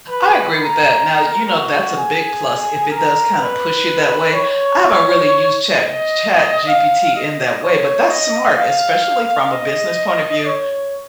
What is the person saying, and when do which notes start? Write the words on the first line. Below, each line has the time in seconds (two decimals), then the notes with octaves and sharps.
I agree with that. Now, you know, that's a big plus if it does kinda push you that way. I haven't really used Chat b ChatGPT in that way, but that's smart, especially from a business point of view,
0.09 B4
0.56 A#4
1.50 F#4
1.98 G#4
2.91 A#4
3.38 B4
4.33 C#5
5.74 D#5
6.68 F5
7.16 D#5
7.63 C#5
8.09 D#5
8.57 F5
9.51 D#5
10.45 C#5